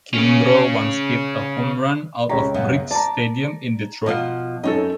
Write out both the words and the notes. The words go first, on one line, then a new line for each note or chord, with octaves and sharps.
Kimbro once hit a home run out of Briggs Stadium in Detroit.
C#3 C#4
C#2 G4 C#5 A#5
F#2 C#3 B3
D5 A5 A#5
B2 F3 F4
F#2 D#4 A4 C#5